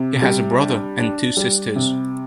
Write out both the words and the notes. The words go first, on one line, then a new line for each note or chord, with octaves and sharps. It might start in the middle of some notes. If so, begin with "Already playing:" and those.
He has a brother and two sisters.
Already playing: C3
G3
D4
D4
G3
C3